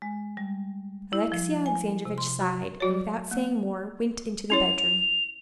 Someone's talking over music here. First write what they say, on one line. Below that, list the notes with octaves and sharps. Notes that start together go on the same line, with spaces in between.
Alexey Alexandrovitch sighed, and, without saying more, went into the bedroom.
G#3
G3
E4
F3
G#5
C3
C6
F#4
F#3 F#4 C#5
A#3
C#4 E4 C#5 F7